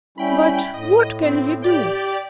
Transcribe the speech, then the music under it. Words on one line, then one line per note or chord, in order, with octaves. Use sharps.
But what can we do?
G3 C#4 E4 G5 B5
A2 D#5
C4
G4 D5 G5